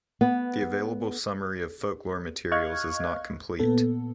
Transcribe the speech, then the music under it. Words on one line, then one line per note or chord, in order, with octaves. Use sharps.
The available summary of folklore materials is not complete.
B3
D#5 F5 C#6 F6 F#6 G#6
A#2 B3 A4